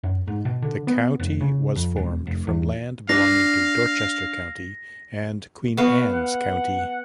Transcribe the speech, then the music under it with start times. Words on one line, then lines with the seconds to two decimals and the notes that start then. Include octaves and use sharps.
The county was formed from land belonging to Dorchester County and Queen Anne's County.
0.04 F#2
0.28 G#2
0.45 B2
0.62 D3
0.87 B3
1.20 F1
1.41 C#3
1.76 F2
1.96 E1
2.27 F1
2.47 E2
3.09 D4 F5 A#6
5.77 B3 F#4 F5
6.14 F#5